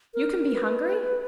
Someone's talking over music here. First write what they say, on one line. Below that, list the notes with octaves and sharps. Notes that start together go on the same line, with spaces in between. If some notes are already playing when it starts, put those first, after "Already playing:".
"You can be hungry?"
A#4
B4